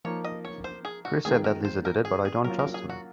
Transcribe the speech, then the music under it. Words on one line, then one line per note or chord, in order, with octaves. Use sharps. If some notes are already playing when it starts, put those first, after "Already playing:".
Chris said that Lisa did it but I don’t trust him.
F3 A#3 D#4 C#5
D#5
C#5
C5
G#4
F#4
D#3 G#3 C4 F4 G#4
A#4
C5
A#4
G#4
G#4
F#3 A#3 C#4 F4 A#4
A#4
G#4
F#4